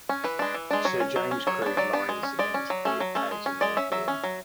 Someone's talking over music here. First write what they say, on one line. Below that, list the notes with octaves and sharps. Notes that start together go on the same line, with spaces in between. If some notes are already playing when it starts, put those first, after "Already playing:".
Sir James Creed lies against the outer north wall.
C#4
E3 B4
G#3 D4
E3
G#3 D4
F#3 C#5
C#4
F#3
C#4
F#3 C#5
B3 D4
F#3 D5
B3 D4
G#3
C#4
G#3 D5
C#4
F#3
A3 C#4
F#3
A3 C#4
G#3
C#4
G#3 D5
C#4 E5
F#3 E5
C#4
F#3